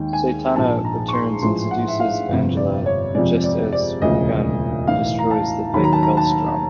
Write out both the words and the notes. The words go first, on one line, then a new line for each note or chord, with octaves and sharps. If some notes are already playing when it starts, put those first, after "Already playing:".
Satana returns and seduces Angela just as Wiccan destroys the fake Hellstrom.
Already playing: D#2 D#3 G#3 G5
G#5
A#1 G#2 F3 G#3 A5
A#5
C#6
C6
A1 G#2 F3 G#3 C6
F#5
E5
F5
G1 F2 C3
D5
C#5
F2 C3 F3 G#3 D5
D5
D5
E1 D2 C#3 F3 D#5
B1 A2 E3 F5
A#5
A5
D#2 D#3 F#3 B5
A#5
A5
A#5
A5